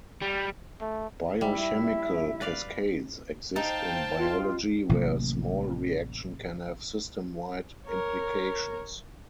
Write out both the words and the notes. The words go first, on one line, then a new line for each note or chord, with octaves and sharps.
Biochemical cascades exist in biology, where a small reaction can have system-wide implications.
G3
A3
G3 E4 E5
B4 D5 F5
D#4 C5 F5 G5 A5
F4
A1 C3 F#3 A#3
A#4 C#5